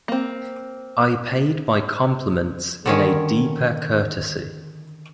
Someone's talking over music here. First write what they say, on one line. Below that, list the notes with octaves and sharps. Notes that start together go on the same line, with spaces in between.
I paid my compliments in a deeper curtsey.
A#3 C4
D3 D#3 C#4